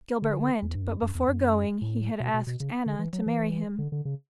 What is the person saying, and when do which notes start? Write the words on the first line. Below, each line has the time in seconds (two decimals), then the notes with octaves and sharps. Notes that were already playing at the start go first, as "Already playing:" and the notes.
Gilbert went, but before going he had asked Anna to marry him.
0.22 D3
0.62 E2
0.75 G2
0.82 F#2
1.02 F#2
1.15 E2
1.28 F#2
1.81 A2
2.20 B2
2.34 B2
2.47 B2
2.60 C#3
2.86 D3
2.99 E3
3.13 F#3
3.26 E3
3.78 D3
3.92 D3
4.05 C#3